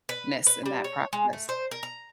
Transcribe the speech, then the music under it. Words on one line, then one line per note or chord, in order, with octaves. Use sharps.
ness and that process.
B4
B4
G3
C#5
G#3
A3
C5
A#4
A#5